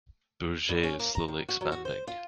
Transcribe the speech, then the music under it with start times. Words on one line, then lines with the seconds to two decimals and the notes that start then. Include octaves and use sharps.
Bourget is slowly expanding.
0.69 E2
0.83 C#4
0.99 A#3
1.15 A#5
1.28 D#3
1.49 F#4
1.61 F#3
1.72 F#4
1.85 C5
2.07 F4